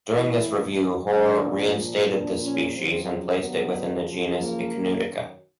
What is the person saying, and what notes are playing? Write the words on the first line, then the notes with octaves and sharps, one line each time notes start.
During this review Hoare reinstated this species and placed it within the genus "Ichneutica".
A2 E3 E4
F#2 D#3 F#3 D#4
D4
A#2 F3
A#2 F3 D4
C#4
F2 C#3 F#3 C4
G2 D#3 F#3 B3
F#2 C#3 F3
A#3
F#2 D#3 F#3